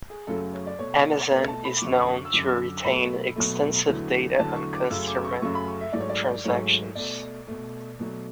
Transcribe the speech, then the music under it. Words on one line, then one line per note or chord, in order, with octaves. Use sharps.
Amazon is known to retain extensive data on customer transactions.
G#4
F#2 C#3 F#3 A3 A4
C#5
D5
B2 A3 C#5
B2 A3 B4
A5
B5
D6
F#2 D3 F#3 C#6
E6
F#2 D3 F#3 D6
B2 F#3 A3 B5
B2 F#3 A3
E2 D3 F#3 A3
E2 D3 F#3 A3 A5
C#6
D6
F#2 C#3 F#3 A3 E6
D6
C#6
F#2 C#3 F#3 A3 C#6
B5
C#6
E5
G#2 F#3 A3 D5
C#5
D5
G#2 F#3 A3 C#5
B2 A3 D5
B2 A3
B2 F#3 A3